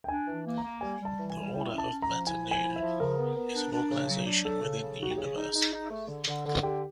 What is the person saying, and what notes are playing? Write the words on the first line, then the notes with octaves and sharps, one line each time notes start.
The Order of Mata Nui is an organization within the universe.
G5
D4 G#5
E3
A#3
A#5
A#3
G3 G#5
G3
A5
E3
G#5
G3
E4 G5
C#4
A5
C#4
A#5
F3
E4 G#5
F3
G#5
E4
E5
F3
C#3 A#4
B3
B3
D4
D4
C#3
F#3
D4
F#3 A4
C#3
C#3
D#4 F#4
G4
C#3 G#4
D#4
D#4
D#4
A3
D3
D3
D3
D3 G4